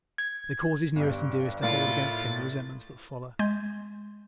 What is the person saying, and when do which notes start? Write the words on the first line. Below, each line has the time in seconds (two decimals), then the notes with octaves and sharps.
They cause his nearest and dearest to hold against him the resentments that follow.
0.18 G#6
0.96 G1 G2
1.62 A2 A#3 E4 F4 D5 A6
3.39 G#3 C6 G6 G#6